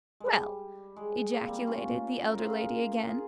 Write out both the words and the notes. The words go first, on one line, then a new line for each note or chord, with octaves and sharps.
"Well!" ejaculated the elder lady again.
G#3
G3
G#3
A#3
C4
G3 A#3
C#4 F4
A#4
F4 G#4
A#4
F4 G#4